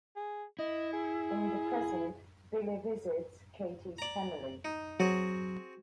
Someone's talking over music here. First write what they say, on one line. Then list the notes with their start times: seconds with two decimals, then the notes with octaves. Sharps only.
In the present, Billy visits Katie's family.
0.16 G#4
0.59 E4 D#5
0.93 G#4
3.98 D5 A#5
4.65 D#4
5.00 F#3 C4 F#4 G#4